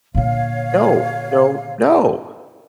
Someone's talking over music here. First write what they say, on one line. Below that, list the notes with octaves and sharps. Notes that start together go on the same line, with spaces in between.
No, no, no.
A#2 D3 C#5 F5